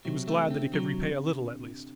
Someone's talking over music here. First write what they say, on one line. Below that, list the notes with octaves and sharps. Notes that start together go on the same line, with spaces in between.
He was glad that he could repay a little at least.
C3 F#3
A3
D3 C4
D3
F#3
C3